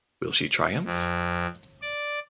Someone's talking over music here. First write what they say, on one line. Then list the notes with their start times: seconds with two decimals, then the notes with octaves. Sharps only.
Will she triumph?
0.85 F2
1.82 D5